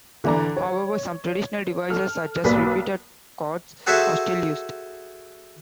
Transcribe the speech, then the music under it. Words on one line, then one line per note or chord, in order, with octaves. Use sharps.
However, some traditional devices, such as repeated chords, are still used.
D3 E3 D4 D5 A#5
C#5
A4 F6
B1 A#3 B4 D5 B6
F#4 G#4 A4 C5 E5 F#5